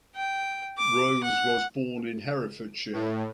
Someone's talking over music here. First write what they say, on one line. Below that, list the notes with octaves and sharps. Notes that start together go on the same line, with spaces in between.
Rose was born in Herefordshire.
G5
D6
F#5
A2